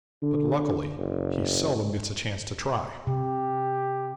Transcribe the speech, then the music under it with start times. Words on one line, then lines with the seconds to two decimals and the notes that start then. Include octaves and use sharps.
But, luckily, he seldom gets a chance to try.
0.23 D3
0.97 F#1
3.07 C3 G4